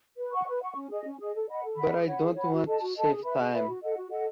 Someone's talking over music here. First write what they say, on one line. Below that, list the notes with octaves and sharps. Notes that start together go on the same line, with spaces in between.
But I don't want to save time.
B4
F#5 C#6
B4
F#5 C#6
C#4
G#4 D#5
C#4
G#4 D#5
A4
D#5 F#5 B5
A4
D#5 F#5 B5
G#4
C#5 F#5 B5
G#4
C#5 F#5 B5
F#4
A4 D#5 A5
F#4
A4 D#5 A5
G#4
B4 E5 B5
G#4
B4 E5 B5
F#4
A4 D#5 F#5
F#4
A4 D#5 F#5